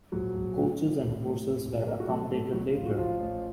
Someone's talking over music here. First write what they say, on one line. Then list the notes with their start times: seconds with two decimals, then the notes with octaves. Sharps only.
Coaches and horses were accommodated later.
0.12 A#1 F#3 F#4
0.35 A#1
0.56 A2
0.77 F3
0.99 A2
1.21 A2
1.43 A2
1.65 A#1
1.87 A2 A#3 A#4
2.00 F#4
2.08 F#3 A3 A4
2.30 A2 A3 A4
2.52 A1 F#3 F#4
2.75 A2 F4
2.86 F#4
2.97 A1 F3 F4
3.19 A1